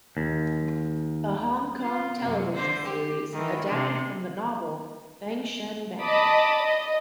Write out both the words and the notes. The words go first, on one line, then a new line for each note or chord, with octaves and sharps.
A Hong Kong television series, adapted from the novel Fengshen Bang.
D#2
F4
F#2 C3
D3 C5
G4
D#3 E3
C3 D4
D#5 A5 B5 D6 D#6
D#5